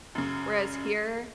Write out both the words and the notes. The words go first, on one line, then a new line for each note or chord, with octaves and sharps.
whereas here,
F#2 C#3